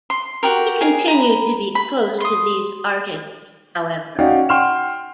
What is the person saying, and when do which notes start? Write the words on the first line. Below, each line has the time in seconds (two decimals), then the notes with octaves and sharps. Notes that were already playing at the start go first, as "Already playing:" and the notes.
He continued to be close to these artists, however.
0.10 C6
0.43 F#4 G4 A#4
0.81 G#4 A#4
1.08 A#5 B5
1.75 B5
2.20 C6 D#6
4.19 C#4 D#4 F#4 D5 F5 G5
4.49 F#5 G5 C6 F6 E7